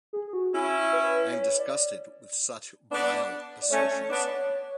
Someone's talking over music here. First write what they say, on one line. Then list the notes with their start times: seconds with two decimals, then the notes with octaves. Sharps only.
I am disgusted with such vile assertions.
0.13 G#4
0.28 G#4
0.33 F#4
0.53 C#4 E4
0.93 B4
1.32 C#5
1.59 D5
2.92 B3 D4
3.62 D5
3.70 A3 C#4 C#5
4.10 B3 D4